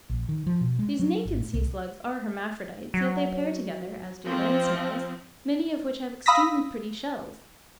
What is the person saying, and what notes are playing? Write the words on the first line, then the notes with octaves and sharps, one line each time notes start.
These naked sea-slugs are hermaphrodites, yet they pair together, as do land-snails, many of which have extremely pretty shells.
A#1
D#3
F3
B2
G#3
F#3
G#1
A2
C2
F#3
F3 C4
F5 B5 D#6 E6 A#6 B6